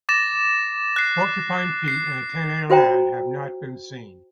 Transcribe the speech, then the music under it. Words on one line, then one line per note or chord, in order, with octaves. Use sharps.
Porcupine Pete and Antennae Lad have not been seen.
D6 A6 A#6 E7
F#6 C7
C7
F4 F#4 C5 G5 A#5